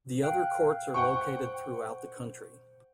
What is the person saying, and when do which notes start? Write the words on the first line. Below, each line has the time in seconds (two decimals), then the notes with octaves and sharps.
The other courts are located throughout the country.
0.23 F5 G5 F#6
0.94 C5 F#5 G5 C#6